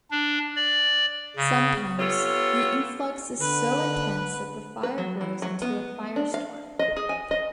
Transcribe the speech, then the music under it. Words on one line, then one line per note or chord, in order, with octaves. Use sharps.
Sometimes, the influx is so intense that the fire grows into a firestorm.
D4
D5
C#3
B3 F4 G4 A4 C#5
D3 B4
B4
F#3
E3
F#3
B3
D4
F5
D#5
G#4
G#5
D#5